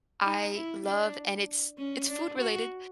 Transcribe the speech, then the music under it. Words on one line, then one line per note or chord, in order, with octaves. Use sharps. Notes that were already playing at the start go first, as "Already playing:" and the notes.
I love, and it's it's food related,
D#4
E4
D4
C#4
D4
F#4